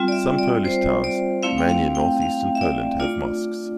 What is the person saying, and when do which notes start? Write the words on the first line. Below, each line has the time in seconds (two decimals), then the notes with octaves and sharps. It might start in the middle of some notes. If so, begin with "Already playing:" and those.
Some Polish towns, mainly in northeastern Poland have mosques.
Already playing: G3 C4 F4 G5
0.08 D5
0.12 E5
0.39 D5
0.65 C5
1.04 D5
1.43 A3 C4 E4 F5
1.58 G5
1.69 F5
1.95 G5
2.22 F5
2.55 E5
2.61 D5
2.99 A3 D4 F4 D5